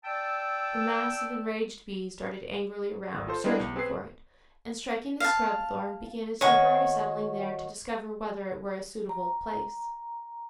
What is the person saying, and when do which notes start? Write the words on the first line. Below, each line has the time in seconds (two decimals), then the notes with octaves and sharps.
The mass of enraged bees darted angrily around, searching for it, and striking the scrub-thorn, began a temporary settling there to discover whether it were a suitable place.
0.04 D5 G5 A5 E6
3.14 G#1
3.27 F4 A4 C5
3.44 G3 G#3 B3 D4 E4
3.60 B1
3.76 C4 G#4 B4 C7
5.20 F5 A5
6.41 D#3 F#4 C#5 G#5 C#6
9.09 A#5